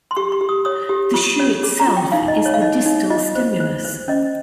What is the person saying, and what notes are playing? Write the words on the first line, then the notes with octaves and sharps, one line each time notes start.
The shoe itself is the distal stimulus.
C6
G4 C#6
C#6
G4
D#6
C#5 D#6
G4
F4 C#6
C#5
G#4
A#5
F4
G5
D#4 F5
D#5
D#4
C#5
F5
D#4 D#5
D#4
F4 D#5
C5
C5
C5
C#4 D#5